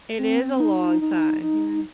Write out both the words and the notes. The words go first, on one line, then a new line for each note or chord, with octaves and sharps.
It is a long time, yeah.
C4
C4
D#4
D#4
D#4